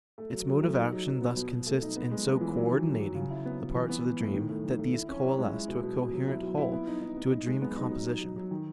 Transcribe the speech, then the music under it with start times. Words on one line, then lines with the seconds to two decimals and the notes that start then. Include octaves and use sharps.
Its mode of action thus consists in so cooerdinating the parts of the dream that these coalesce to a coherent whole, to a dream composition.
0.18 A3
0.33 F#3
0.47 F#3
0.63 A3
0.78 D#4
0.92 F#3
1.07 F#3
1.22 B3
1.37 B2
1.52 B2
1.66 A3
1.82 D#4
1.96 B3
2.11 G#3
2.26 B3
2.41 E3
2.56 F#3
2.71 D#3
2.86 F#3
3.01 F#3
3.15 C#3
3.30 E4
3.46 B3
3.60 B3
3.75 E3
3.89 B3
4.05 B3
4.20 A2
4.34 D#3
4.49 A3
4.64 D#3
4.79 A3
4.94 E4
5.09 C#4
5.24 E4
5.38 G#3
5.53 E4
5.68 B2
5.83 B2
5.98 B2
6.13 F#3
6.28 E4
6.43 F#3
6.58 E4
6.72 B3
6.87 D#4
7.02 D#4
7.17 B3
7.31 D#4
7.47 G#3
7.62 B3
7.76 D#4
7.91 F#3
8.06 D#4
8.21 F#3
8.36 F#3
8.51 D#3